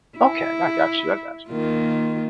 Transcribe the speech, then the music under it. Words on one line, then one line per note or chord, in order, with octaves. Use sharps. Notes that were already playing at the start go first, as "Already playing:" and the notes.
Okay. I got you, I got you.
E4
D#3 A#3 F4